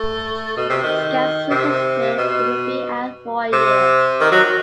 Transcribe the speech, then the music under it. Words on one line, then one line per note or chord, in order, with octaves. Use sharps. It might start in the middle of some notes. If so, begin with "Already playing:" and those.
Scans suggested he would be out for a year.
Already playing: A3
B2
C3
D#3
C3
B2
C3
D#3
F#3